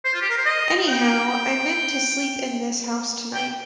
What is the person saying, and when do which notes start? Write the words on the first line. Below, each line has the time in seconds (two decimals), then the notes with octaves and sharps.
Anyhow I meant to sleep in this house tonight.
0.05 C5
0.14 F4
0.21 G4
0.29 A#4
0.37 C5
0.46 D#5
0.88 G5
3.34 G5